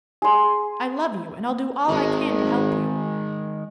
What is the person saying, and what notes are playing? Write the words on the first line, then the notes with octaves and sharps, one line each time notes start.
I love you, and I'll do all I can to help you.
G#4 C6
G#1 D#3 G#3